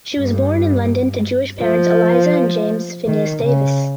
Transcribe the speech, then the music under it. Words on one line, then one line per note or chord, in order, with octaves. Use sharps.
She was born in London to Jewish parents Eliza and James Phineas Davis.
G2
F3
D#3
C#3